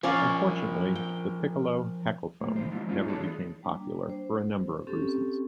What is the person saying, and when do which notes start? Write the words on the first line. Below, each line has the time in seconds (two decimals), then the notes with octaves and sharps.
Unfortunately, the piccolo heckelphone never became popular, for a number of reasons.
0.03 F3 C#4 A#4 D5 F5
0.96 G5
2.40 A2 A#3
2.56 B2 D#3 C5
2.71 F3 G#3 A#3 E4
2.87 G#3 A#3 C#4 D#4 F4
3.08 D#4 F#4 G#4 A4 C#5 D5
3.20 E3 B3 G#4
3.63 G3 A#3 D4
4.10 C5
4.87 C4 C#4 G4 A4